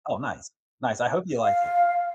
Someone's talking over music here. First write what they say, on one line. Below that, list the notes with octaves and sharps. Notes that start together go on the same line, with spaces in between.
Oh, nice. Nice. I hope you like it.
F5